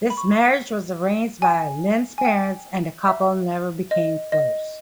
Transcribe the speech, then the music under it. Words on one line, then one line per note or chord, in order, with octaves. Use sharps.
This marriage was arranged by Lin's parents, and the couple never became close.
B5
C#6
G#5
G#5
G5
E5
D#5
D#5